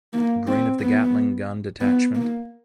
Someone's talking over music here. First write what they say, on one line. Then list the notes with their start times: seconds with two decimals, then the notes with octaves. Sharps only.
Green of the Gatling Gun Detachment.
0.13 A#3
0.47 C4
0.80 B3
1.81 B3
2.15 A#3